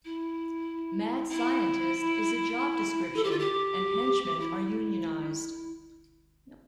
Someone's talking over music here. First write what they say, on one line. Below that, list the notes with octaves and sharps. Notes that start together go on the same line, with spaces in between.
"Mad scientist" is a job description, and henchmen are unionized.
E4
E4
A4
G4
F4
G4
E4